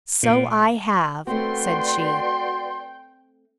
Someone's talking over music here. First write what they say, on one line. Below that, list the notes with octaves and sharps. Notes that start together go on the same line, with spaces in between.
"So I have," said she.
A#2
A3 C4 F#4 B4 D5 G5 C6